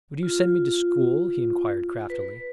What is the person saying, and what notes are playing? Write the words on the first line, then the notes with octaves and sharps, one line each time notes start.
"Would you send me to school?" he inquired craftily.
F4
B4